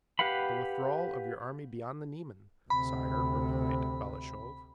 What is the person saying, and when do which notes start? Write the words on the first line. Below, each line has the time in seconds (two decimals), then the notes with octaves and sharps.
"The withdrawal of your army beyond the Niemen, sire," replied Balashev.
0.19 G4 B4 F5 F#5 B5
2.70 D2 C3 B5